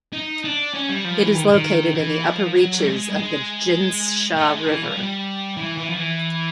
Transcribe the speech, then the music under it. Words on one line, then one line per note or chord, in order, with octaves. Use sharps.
It is located in the upper reaches of the Jinsha River.
D#4
D4
C#4
G3
F3
E3
D#3
D#3
E3
F3
F#3
G3
G#3
G3
G#3
A3
G#3
E3
F3
G3
E3
E3
F3
E3